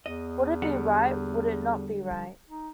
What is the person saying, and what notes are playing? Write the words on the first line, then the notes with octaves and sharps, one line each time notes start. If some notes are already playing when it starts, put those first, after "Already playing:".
Would it be right, would it not be right?
E2 D#5
D3 G3 F#5
D#4